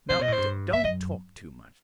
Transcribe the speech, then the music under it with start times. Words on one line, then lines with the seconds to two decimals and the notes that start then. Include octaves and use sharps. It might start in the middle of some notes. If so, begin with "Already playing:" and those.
Now don't talk too much.
0.09 C3 C5
0.19 B2 D#5
0.28 A2
0.33 G2 C5
0.73 E2 E5
0.84 F#2 D#5